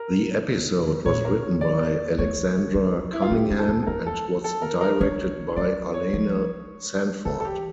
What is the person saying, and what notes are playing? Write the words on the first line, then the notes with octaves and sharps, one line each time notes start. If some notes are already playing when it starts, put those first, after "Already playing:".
The episode was written by Alexandra Cunningham and was directed by Arlene Sanford.
Already playing: A#4
A#2 C#5
A#4
C#5
D5
A3 C#5
A#3
E4
F4
C#4 G4
C#4
A4
C#4
A4
A#3 A#4
A4
A4
A#4
A#4
D4 C#5
C#4 D5
C#5
F3
E3 A4
A4
G4